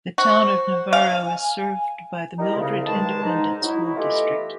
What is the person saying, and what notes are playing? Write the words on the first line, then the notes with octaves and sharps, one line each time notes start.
The Town of Navarro is served by the Mildred Independent School District.
F#4 C5
F5 G#5
G3 D#4 E4 A#4
C2 C#3
G2 D#3 G#3 A5
G#2 D#4
F#3 D#4 E4
E3 A3 B3 F4 G4 D#5